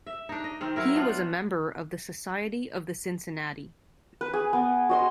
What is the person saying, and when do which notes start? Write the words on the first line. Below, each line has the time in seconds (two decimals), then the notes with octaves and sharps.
He was a member of the Society of the Cincinnati.
0.07 E5
0.29 D4 D#4
0.44 D#5
0.61 D#3 C4
0.76 F#3 E4 A#4
0.95 B3 C#4 D4 F4
4.21 B4
4.33 G#4
4.53 B3
4.89 F#4 D#5 C6